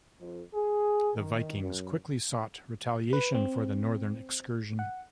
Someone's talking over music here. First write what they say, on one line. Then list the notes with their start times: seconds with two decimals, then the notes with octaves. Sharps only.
The Vikings quickly sought retaliation for the Northern excursion.
0.20 F2
0.54 G#4
1.16 D#3
1.62 F#2
3.13 B4
3.35 C4
4.79 F#5